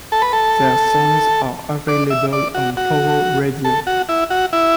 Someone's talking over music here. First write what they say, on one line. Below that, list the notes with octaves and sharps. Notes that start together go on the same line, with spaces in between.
Their songs are available on Pow Wow Radio.
A4
B4
A4
D5
E5
D5
F#4
F#4
A4
F#4
E4
F#4
E4